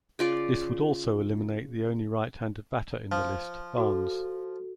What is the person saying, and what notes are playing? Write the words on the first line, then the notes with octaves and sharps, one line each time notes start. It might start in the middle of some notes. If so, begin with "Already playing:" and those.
This would also eliminate the only right-handed batter in the list, Barnes.
C#3 F4 D5
F3
F#4 A4